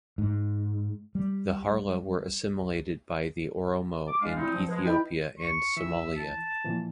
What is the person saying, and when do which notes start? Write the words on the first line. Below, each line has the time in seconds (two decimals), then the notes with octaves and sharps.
The Harla were assimilated by the Oromo in Ethiopia and Somalia.
0.18 G#2
1.15 G3
4.08 D6
4.21 G#3 D4 F5
4.36 A#2 C4 D#4 E4
4.52 F3
4.69 G#3 B4
4.85 E4 D#5 G5 B5
5.38 C#6
5.77 E3 E5
6.16 A5
6.64 A#2 E3 F3